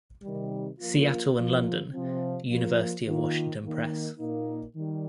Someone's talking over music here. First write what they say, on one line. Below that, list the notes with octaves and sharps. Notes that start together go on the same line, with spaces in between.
Seattle and London: University of Washington Press.
C3 D#3 G3
F3 A#3 F4
F3 A#3 F4
C3 F3 C4
F3 A#3 F4
D#3 A#3 F4
D#3 A#3 D#4
A#2 A#3 D#4
D#3 G3